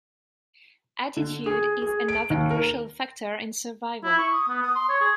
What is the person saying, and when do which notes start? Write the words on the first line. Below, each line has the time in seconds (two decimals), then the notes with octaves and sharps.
Attitude is another crucial factor in survival.
1.17 D3
1.46 G#4
1.82 G#4
2.08 D7
2.30 D#2
2.50 A#4
4.04 E4
4.18 C#6
4.33 D#6
4.48 B3
4.63 D#6
4.75 C6
4.89 C#5
5.01 G#4